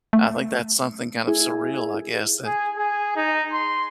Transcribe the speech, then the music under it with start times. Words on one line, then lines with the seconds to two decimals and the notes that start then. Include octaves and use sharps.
I think that's something kind of surreal, I guess, that
0.13 A3
1.28 E4 G#4
2.46 G#4
2.77 G#4
3.16 D#4
3.53 C6